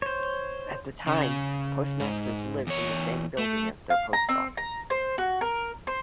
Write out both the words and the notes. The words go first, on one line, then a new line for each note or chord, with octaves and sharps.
At the time, postmasters lived in the same building as their post office.
C5 C#5
C#3
G#2
E2 C#5
A3
F5
A#5
C4
A#5
C5
F#4
A#4
C5